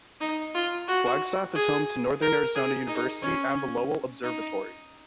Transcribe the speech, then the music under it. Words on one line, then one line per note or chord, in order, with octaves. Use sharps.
Flagstaff is home to Northern Arizona University and the Lowell Observatory.
D#4
F4
F#4
G#4
A#4
G#4
D#4
C#4
D#4